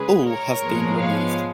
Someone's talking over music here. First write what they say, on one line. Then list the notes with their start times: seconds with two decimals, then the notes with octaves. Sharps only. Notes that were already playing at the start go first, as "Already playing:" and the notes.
All have been removed.
Already playing: C#3 G#3 C#4 G#4 B4
0.24 A#4 C#5
0.61 G#2 F3 G#3 B3
0.98 C#5 F5